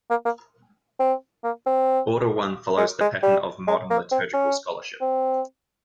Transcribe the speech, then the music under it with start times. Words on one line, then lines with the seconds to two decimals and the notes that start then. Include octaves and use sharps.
Order One follows the pattern of modern liturgical scholarship.
0.10 A#3
0.25 A#3
1.00 C4
1.44 A#3
1.66 C4
2.77 G#3
3.00 G#3
3.22 G3
3.67 G#3
3.90 A#3
4.12 C4
4.34 C#4
5.01 C4